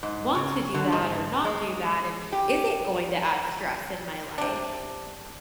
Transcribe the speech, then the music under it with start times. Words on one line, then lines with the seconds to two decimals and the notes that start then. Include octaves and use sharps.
want to do that or not do that? And is it going to add stress in my life?"
0.03 G#2
0.35 C#3
0.74 D3
0.92 G#2
1.44 G#3
2.32 G4
4.38 C3 D4